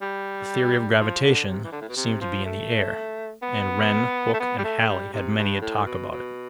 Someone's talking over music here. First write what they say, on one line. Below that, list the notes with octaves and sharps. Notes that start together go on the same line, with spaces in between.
The theory of gravitation seemed to be in the air, and Wren, Hooke, and Halley had many a talk about it.
G3
F3
D3
C3
E3
D3
A2
B2
C3
F3
A3
B3
A3
B3
G3
A3
G3
C3
G2
A2
B2
B2